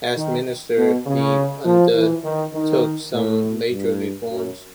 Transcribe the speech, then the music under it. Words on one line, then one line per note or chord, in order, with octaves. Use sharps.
As Minister he undertook some major reforms.
D#3
B2
C#3
F3
E3
D#3
D#3
A2
G2
F#2